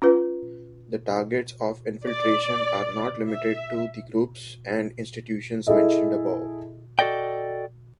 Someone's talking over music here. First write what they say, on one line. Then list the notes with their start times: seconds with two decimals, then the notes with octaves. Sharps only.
The targets of infiltration are not limited to the groups and institutions mentioned above.
0.02 C#4 F4 B4
2.07 D5
3.29 E5
5.67 E4 G#4 A4 D#5 E5
6.99 F#4 A4 D5 D#5 G5